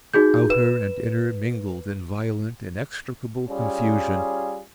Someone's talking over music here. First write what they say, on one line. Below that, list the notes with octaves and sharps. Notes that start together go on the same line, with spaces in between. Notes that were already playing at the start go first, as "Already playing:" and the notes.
Outer and inner mingled in violent, inextricable confusion.
D#4 F#4 G#4 G6
B4 E7
G3 C#4 F4 G#4